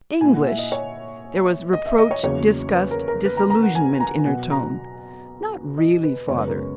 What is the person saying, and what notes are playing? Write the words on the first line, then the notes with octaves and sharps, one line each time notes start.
'English!' There was reproach, disgust, disillusionment, in her tone. 'Not really, father?'
A#2 A#3 E4 G#5
F#5
E5
D#5
C#5
D#5
E5
D#5
C#5
E2 C#3 F#3 A#3 C#5
B4
A#4
A#4
B4
A#5
A#5
F#5
G#5
A#5
B2 F#3 B3 F#5
A#5
D#5
B4
F#2 C#3 G#3 B3 C#5
B4
A#4
B4